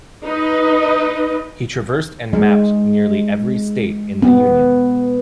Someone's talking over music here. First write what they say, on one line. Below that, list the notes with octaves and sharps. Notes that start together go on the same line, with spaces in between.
He traversed and mapped nearly every state in the Union.
D#4 B4 D#5
G#3
B3